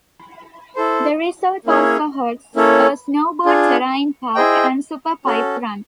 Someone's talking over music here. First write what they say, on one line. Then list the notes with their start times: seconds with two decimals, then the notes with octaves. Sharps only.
The resort also hosts a snowboard Terrain Park and Super Pipe run.
0.76 E4 A4 C5
1.65 A#3 C#4 E4 G#4 C#5
2.55 A#3 C#4 E4 A4 C#5
3.45 D4 F4 G#4
4.35 E4 G#4 C5 D#5 G5
5.26 C#4 F#4 A4